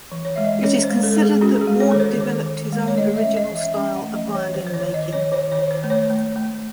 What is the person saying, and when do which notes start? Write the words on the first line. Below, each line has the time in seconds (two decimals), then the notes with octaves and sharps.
It is considered that Ward developed his own original style of violin making.
0.12 E3
0.25 C#5
0.36 G#3 E5
0.45 D#5
0.63 C#4 C#5
0.83 C5
0.90 G#3
1.03 A4
1.16 G#3
1.22 G#4
1.41 C#4 F#4
1.61 G#4
1.67 G#3
1.80 C#5
1.91 D#3 A4
2.00 C5
2.20 D#3
2.46 D#3
2.72 G#3
2.88 C#5
2.97 A3 D#5
3.17 E5
3.24 C#4
3.37 D#5
3.50 E3
3.57 E5
3.76 C#4 E5
3.96 F#5
4.03 A3
4.15 D#5
4.28 E3
4.35 C#5
4.54 D#3 C5
4.67 C5
4.74 C#5
4.80 D#3
4.94 D#5
5.06 D#3
5.13 C#5
5.32 D#3 C#5
5.52 C#5
5.59 D#3
5.71 C5
5.84 A3
5.90 C#5
6.10 A3
6.36 A3